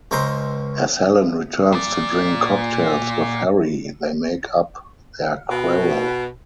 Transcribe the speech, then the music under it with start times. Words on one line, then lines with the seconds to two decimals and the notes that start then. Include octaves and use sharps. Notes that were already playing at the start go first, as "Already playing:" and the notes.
As Helen returns to drink cocktails with Harry, they make up their quarrel.
0.11 C#2 C#3 G#3 C5 A#5 C6
1.72 A#2 D5
5.51 B2